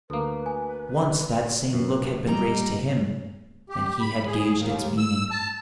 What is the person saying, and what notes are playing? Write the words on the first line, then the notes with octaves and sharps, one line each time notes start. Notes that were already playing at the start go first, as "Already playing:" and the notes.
Once that same look had been raised to him, and he had gauged its meaning.
D2 A#3 A4 B4
G#5
F#2 B4
G3 D#5 A#5
G4
B5
G#4
D#2
E6
A5